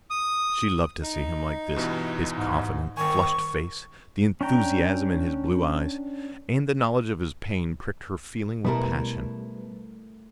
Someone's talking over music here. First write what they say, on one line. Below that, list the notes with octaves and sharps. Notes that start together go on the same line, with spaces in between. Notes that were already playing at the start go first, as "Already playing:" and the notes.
She loved to see him like this, his confident, flushed face, the enthusiasm in his blue eyes; and the knowledge of his pain pricked her feeling with passion.
D#6
D#4
G2 B2 E3
G#2
G1 D#3 G#5 C#6
C#4 D4 G5 A#5
B2 G3 A3 E4 A#4